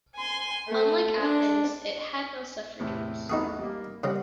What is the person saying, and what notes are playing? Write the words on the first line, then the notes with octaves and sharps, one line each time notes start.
Unlike Athens, it had no suffragans.
G#5 C6
A3
D4
E2 A2 C3
E2 A3 B3 D#4 F#4 G#4
G3 A#3
C#3 G3 C4 D#5 F#5